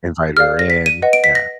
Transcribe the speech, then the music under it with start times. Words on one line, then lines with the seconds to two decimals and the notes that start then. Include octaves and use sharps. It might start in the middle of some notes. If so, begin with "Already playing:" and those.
and invited her in. Yeah.
0.37 G#4 D5 F5 F6
0.59 A#6
0.70 B6
0.86 D#7
1.02 B4 D#5 F#5
1.13 D7
1.24 B6
1.35 A#6